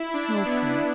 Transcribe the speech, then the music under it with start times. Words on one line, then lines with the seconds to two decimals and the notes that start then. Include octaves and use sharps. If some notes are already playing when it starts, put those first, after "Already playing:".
Snow Cream.
Already playing: E4
0.14 D4
0.45 B3